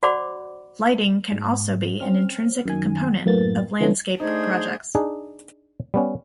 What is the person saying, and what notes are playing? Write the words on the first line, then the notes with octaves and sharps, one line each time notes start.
Lighting can also be an intrinsic component of landscape projects.
F#4 C5 D5 F#5 B5 D6
G#2
C4 C#4 F6
F#2 D#3 G#5
F#2 A2 A#3 B3 A6
D3 E3 F3 A3 B3 C#4
A3 D4 D#4 G#4 C5 G#6
D4 D#4 G#4
G3 B3 C#4